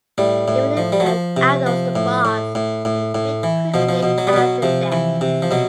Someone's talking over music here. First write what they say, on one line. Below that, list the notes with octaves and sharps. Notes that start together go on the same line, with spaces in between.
Even in barred adults the bars may fade quickly after death.
A2 G3
A2
F3
G3
F#3
F3
C3
F3
A2
A2
A2
A2
A2
E3
B2 F3
F3
B2
F#3
G3
B2 F#3
C3 F3
E3
C3
F3
B2 F#3